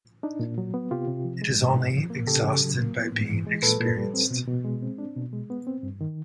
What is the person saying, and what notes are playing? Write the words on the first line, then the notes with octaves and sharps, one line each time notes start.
It is only exhausted by being experienced.
D4 D#4
A#2
F#3
B3
C3 F4 G4
C3
F3
G#3
G#2
G#2
F3
A#3
C#3 G4 A4
C#3
F#3
A#3
B3
A2
E3
G#3
A#2 A4 B4
A#2
G3
C4
B2
B2
G#3
C4
D4
B2
G#3
B3
C4
G2
D#3